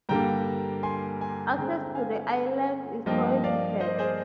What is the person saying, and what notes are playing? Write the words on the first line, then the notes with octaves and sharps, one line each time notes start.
Access to the islands is prohibited.
G2 D3 G3 A#3 G5 A#5
G#5 C6
G#5 C6
D3 G#3 C4 G5 A#5
A#5
F5 G#5
G2 F3 A#3 D#5 G5
D5 F5
C5 D#5
G#4 C5